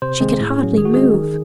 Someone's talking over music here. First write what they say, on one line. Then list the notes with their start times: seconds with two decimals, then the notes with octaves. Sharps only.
She could hardly move.
0.02 C3 C5
0.20 D#3 G#3 C4 G#4
0.40 A2
0.58 F#3 C#4
0.77 D#3 G#4
0.85 F#4
0.94 G#3 C#4 G#4
1.14 D#3